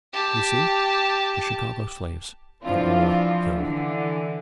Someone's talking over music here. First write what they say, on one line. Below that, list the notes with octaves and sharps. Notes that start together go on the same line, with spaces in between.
"You see, the Chicago slaves are all killed."
G4 A5
E3 F3 C4 D4 F4
D3 E3